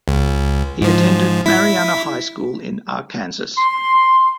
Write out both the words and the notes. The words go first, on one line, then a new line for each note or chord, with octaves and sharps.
He attended Marianna High School in Arkansas.
C#2
G#2 F3
E4 B6
C6